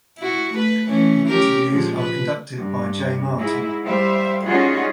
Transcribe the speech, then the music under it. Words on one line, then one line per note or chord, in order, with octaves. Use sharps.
The interviews are conducted by Jay Martin.
E4 F#4
A3 B4
E3 A3 C#4
C#4 G4 A#4
A#2 F3 G#3
B4
G2
G#2 G#3 E4
G3 C5 E5 F5
G3 C#4 D#4 F4 F#4 G#4